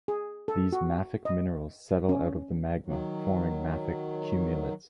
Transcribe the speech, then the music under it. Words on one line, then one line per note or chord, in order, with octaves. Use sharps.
These mafic minerals settle out of the magma, forming mafic cumulates.
G#4
A4
F#4
D#5
C#4
D#3 F#3